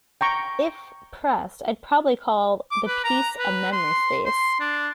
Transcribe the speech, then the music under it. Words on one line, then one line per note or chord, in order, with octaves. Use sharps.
If pressed, I'd probably call the piece a 'memory space.
G5 A#5 C#6
D6
B4
A#5
B4
C6
C6
D4